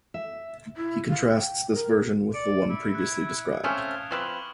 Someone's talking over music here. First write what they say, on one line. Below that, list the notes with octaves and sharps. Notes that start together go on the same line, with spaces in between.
He contrasts this version with the one previously described.
E5
E4
F5
G5
A#4
D5 C#7 D7
E4
F#6 G#6
A3 C4 C#4 F5 D#6 F6 E7
F3 C4 B4 C#6 F6 F#7